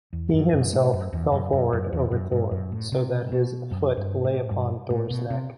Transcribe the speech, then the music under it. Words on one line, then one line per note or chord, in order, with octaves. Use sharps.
He himself fell forward over Thor, so that his foot lay upon Thor's neck.
E2
F#2
F#2
A2
F#2
E2
F#2
F#2
F#2
E2
F#2
G2
F#2
A2
C3
B2
F#2
G2
A2
G2
A2
B2
C3